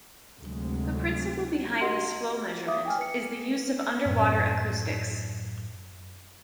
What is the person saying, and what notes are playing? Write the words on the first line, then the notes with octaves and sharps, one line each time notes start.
The principle behind this flow measurement is the use of underwater acoustics.
D2 C3 F#3 G#3
F#4 G4 A#4 D#5 F#5 C6
E5 F5 D6 D#6
G5 G#5 F6
B4 C#7
F#2 A2 F#3